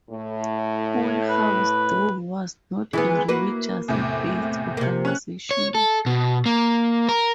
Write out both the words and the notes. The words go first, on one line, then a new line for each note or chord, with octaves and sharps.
Hull House, though, was not a religious based organization.
A2
B4
E3 G#3 B3 E4
A#3 F#4 B4
E2 A2 C3
C3 A#3
C#4 F#6
C#5
A4
B2
A#3
A#4